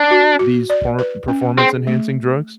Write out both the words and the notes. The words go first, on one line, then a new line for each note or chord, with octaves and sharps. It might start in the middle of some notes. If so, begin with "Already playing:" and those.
these por performance-enhancing drugs?
Already playing: D4
F#4
F#4
D5
B4
C#4
C4 G#4
A3